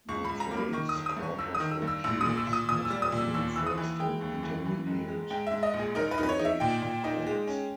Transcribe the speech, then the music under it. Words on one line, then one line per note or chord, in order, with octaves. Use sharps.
The phrase "court of appeals" most often refers to intermediate appellate courts.
C#2 C#6
C#2 B5
A#5
A#3
B5
D#3 C#6
D#6
G1
D#6
G2
C#6
G1 E6
D#6
D#3
E6
G2
E6
A#1 E6
D#6
A#2
E6
A#2
D#6
A#2 D#6
E6
G3
D#6
A#2
E6
D#2 E6
E3 E6
D#6
E3
G#3 G5
D#2
E3
E3
G#2
G#3
G#2 G5
G#2 E5
D#5
A#1
G#4
D#4 A#4
B4
D#4
B4
C#5
D#4
E5
A#2 G5
A#2
D#4
G#3
C#4